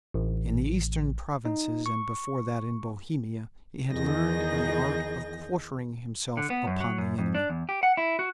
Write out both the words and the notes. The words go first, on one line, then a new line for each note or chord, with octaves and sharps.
In the Eastern provinces, and before that in Bohemia, he had learned the art of quartering himself upon the enemy.
A1
D#4
C#6
E2 D#3 G#4 D#5 G6 A#6
D3
B3
F#2
F#3
F#2
F2
D4
E2
G4
F#5
E4
F#4